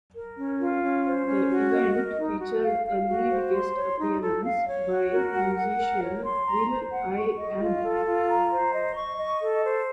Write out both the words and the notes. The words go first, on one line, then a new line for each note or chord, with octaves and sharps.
The event featured a lead guest appearance by musician will.i.am.
A#4
C#4
F4
C#4
C5
C#4
F#4
D#5
A#4
D#4
F#4
F5
F5
F#4
C5
C6
C#5
D#4
A4
F5
C#5
F#4
A#4
F#5
F#5
A#4
C#5
C6
A#5
C5
F#5
C#6
D#5
F4
A4
F4
A#5
C5
D#5
C#6
D#5
A4
C5